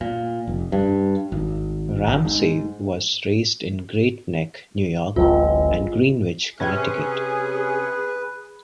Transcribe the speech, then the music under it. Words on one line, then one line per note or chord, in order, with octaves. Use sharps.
Ramsey was raised in Great Neck, New York and Greenwich, Connecticut.
A#2
F1
G2
G#1
G#1
G#2
D1 A1 G#3 F4
C3 C#4 G#4 B4